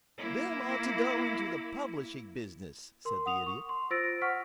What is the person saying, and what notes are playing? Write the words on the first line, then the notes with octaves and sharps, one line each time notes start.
"Bill ought to go into the publishing business," said the Idiot.
A#3 E4
A#4 C6
F#5 D#6 F7
C#6
C6
F4 C5 E6 A6 A#6 D7
F#5 C#6 F6 B6